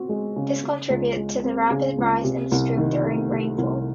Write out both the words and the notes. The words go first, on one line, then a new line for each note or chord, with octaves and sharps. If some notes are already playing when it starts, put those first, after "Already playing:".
This contributes to the rapid rise in the stream during rainfall.
Already playing: C4 F#4
G#3
C#3
C#3
C#2
G#3
C4
C#3
C#2
C3
C2
D#3
A3
C3
C2